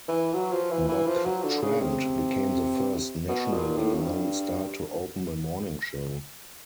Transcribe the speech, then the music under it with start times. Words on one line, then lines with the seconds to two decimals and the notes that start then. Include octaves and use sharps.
Buck Trent became the first nationally known star to open a morning show.
0.08 E3
0.34 F#3
0.52 F3
0.71 E3
0.89 E3
1.07 F3
1.25 F#3
1.43 D3
1.62 C#3
1.81 C3
3.28 B2
3.53 A#2
3.77 A2
3.94 F#2
4.01 G2